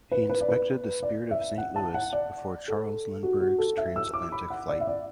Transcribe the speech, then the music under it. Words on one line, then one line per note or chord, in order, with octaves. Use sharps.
He inspected the Spirit of Saint Louis before Charles Lindbergh's trans-Atlantic flight.
B4
B4
D5
B4
D5
E5
F#5
A5
F#5
D5
A4
F#4
F#4
A4
E5
E6
D6
B5
F#5
D5
E5
D5